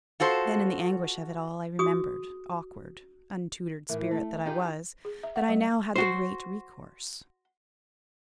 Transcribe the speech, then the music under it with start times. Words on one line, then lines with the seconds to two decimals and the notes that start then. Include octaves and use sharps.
Then in the anguish of it all I remembered, awkward, untutored spirit that I was, that I now had the Great Recourse.
0.20 F4 F#4 A4 C5
1.79 F#4 G#4 D#6
3.89 A2 E3 A#4
4.11 A3
4.45 D#4 F4 G4 G#4 B4 G5
5.05 G#4
5.23 E5
5.36 F#5
5.49 G3
5.96 F#4 C5